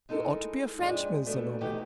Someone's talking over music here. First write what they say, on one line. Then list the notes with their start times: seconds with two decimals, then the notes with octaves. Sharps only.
You ought to be a Frenchman, Sir Norman!
0.09 G#3 D#4 E4 A4 A#4
0.79 F2 C3 G#3 D4 D5
1.26 B2 A3 D4
1.61 B2 E3 A3 C4 D#4 G4